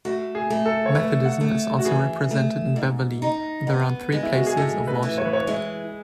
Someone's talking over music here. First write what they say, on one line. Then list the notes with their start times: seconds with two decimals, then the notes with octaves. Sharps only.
Methodism is also represented in Beverley with around three places of worship.
0.05 A3 F#4
0.35 G#4
0.50 A3
0.66 A4
0.86 C#5
0.95 A3 B4
1.25 F#5
1.41 A3
1.79 F#4
1.85 E3 G#4
2.31 A3
2.76 G#2
3.22 D#4
3.67 B3
4.12 G#3
4.23 E4
4.35 F#4
4.47 G#4
4.57 A2 A4
4.87 B4
5.03 E3
5.18 C#5
5.25 B4
5.33 C#5
5.47 G#3 E4